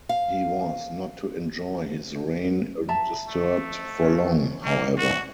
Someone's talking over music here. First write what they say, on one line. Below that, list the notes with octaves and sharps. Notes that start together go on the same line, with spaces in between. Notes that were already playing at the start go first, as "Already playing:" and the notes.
He was not to enjoy his reign undisturbed for long, however.
F5
E5 A5 A#5
A3
C#4
A#3
F#4